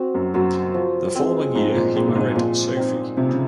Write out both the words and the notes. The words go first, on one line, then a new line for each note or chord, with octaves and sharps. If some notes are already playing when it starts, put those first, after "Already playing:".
The following year he married Sophie.
Already playing: C4 F#4 C5
F#2 F#3
F#2 F#3 F#4 C5
F3
G#3 C4
G#2 F3
A#2
A#2 G#3 C4
A#2
G#2
A#2 F3
C4 D#4
C3 F3
C#3